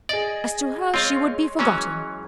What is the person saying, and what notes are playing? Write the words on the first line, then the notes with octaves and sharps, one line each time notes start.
As to her she would be forgotten.
G#4 D5 D#5
G#3 C4 F4 C#5 C6
E3 F#3 C#4